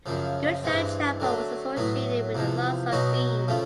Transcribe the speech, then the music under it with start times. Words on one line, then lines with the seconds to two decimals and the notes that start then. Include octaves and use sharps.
Goodshaw Chapel was associated with the Larks of Dean.
0.06 F#2 C#3 F3
0.63 G2 E3 G#3 C4
1.20 D3 F#3 A3
1.77 A2 F#3 B3
2.35 E2 C3 F3
2.92 B2 F#3 B3 D#4 F#4
3.48 C#3 F3 A3